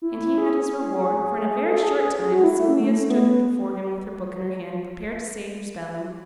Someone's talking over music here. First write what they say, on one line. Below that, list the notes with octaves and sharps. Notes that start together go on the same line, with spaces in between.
And he had his reward; for in a very short time, Sylvia stood before him with her book in her hand, prepared to say her spelling.
E4
G#4
G#4
A4
G#4
G#4
F#4
E4
C#4
A3
A3
B3